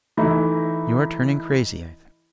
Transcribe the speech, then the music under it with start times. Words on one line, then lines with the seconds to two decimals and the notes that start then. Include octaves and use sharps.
You are turning crazy, I think.
0.17 E3 A3 D#4 E4